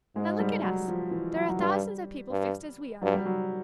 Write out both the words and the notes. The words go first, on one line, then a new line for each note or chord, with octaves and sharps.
Now, look at us,--there are thousands of people fixed as we are.
G#2 G#3
G3
F#3
F3
E3
F#3
F#3
G2 G3
G2
G2 F#3
G3
F#3